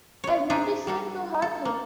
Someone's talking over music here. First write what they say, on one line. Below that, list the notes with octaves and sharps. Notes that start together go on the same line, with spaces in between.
Her beauty seemed to hurt him.
B3 C#5
C4 D4 D#4 G#4 E5
G3 A#3 A4
A4
A#3